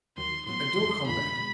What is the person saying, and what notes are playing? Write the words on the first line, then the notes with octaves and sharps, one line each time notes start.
And don't come back.
D#2 D#3 F#3 C6
A2 F#3 B3 C6
F2 D3 F3
F2 D3 F3 A#3 D4 B5
B2 G#3